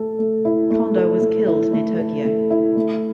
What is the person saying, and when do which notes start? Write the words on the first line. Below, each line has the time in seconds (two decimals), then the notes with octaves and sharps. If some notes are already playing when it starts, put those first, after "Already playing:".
Kondo was killed near Tokyo.
Already playing: A3 A4
0.19 A3
0.45 E4
0.70 A3
0.96 A4
1.22 A3
1.47 E4
1.73 A3
1.99 A4
2.24 A3
2.50 E4
2.76 A3